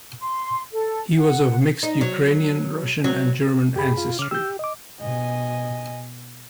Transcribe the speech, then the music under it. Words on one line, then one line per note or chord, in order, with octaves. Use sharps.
He was of mixed Ukrainian, Russian, and German ancestry.
C6
A4
F#5
D#4
F#3
F#3
F#2 G4 G#4 B5
F4
C#3 D6 F6
G4 E6 G6
D#5 D6
B2 D#5 G#5